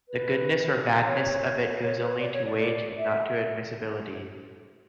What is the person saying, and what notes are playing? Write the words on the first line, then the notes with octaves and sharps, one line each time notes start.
The goodness or badness of it goes only to weight and not to admissibility.
B4
C#5
C#5
B4
D5
C#5
D5
D5
E5